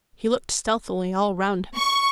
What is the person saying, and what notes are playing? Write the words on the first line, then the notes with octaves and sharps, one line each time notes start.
He looked stealthily all round him.
C#6